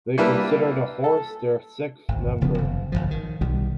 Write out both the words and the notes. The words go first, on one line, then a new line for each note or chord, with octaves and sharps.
They consider the horse their sixth member.
G3 A#3 D4 E4 B4
A4
G#1 D2
D#1 C#3 F3 B3
F#1
G1 C#2 F3
D#3
B1 B2 D#3 G3